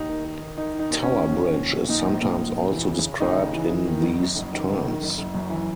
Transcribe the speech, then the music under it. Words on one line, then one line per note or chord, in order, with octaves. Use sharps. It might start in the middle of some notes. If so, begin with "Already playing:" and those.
Tower Bridge is sometimes also described in these terms.
Already playing: D#2 D#4
D#3
D#3
D#3
D#3 D#4
D#3
D#4
D#2
D#3 C#4
A#1
A#1
A#2
A#1
A#2 D#4
A#1
A#2
A#1
E1
E3
C#3
C#3
D#2 D#4
C#3
E3
E3
D#3
F#1
F#2
F#1
D#3
F#1
D#3
F#1
F#1
F#2
E3